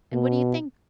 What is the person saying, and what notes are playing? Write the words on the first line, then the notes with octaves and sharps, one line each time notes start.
And what do you think?
B2